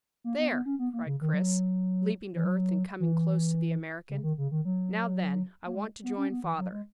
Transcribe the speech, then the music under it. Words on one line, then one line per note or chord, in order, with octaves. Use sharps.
"There!" cried Chris, leaping to earth and coming close to the American. "Now then, I want to join father."
A#3
B3
B3
C#4
B3
A#3
C#3
D#3
F#3
E3
F#3
E3
C#3
D#3
C#3
D#3
F#3
A#3
G#3
B3
C#4
B3
E3
F#3
G#3